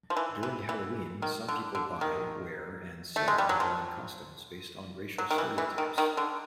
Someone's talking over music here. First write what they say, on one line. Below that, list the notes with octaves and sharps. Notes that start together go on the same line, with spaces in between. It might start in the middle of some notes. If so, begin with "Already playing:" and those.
During Halloween, some people buy, wear, and sell Halloween costumes based on racial stereotypes.
F3
E3
E3
E3
D#3
D3
D3
D#3
A3
G#3
G3
F#3
F3
F#3
D#3
E3
E3
D#3
D#3
D3